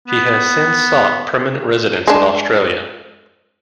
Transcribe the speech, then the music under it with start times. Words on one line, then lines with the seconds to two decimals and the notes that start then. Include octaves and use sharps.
He has since sought permanent residence in Australia.
0.08 B3
2.07 G#3 D4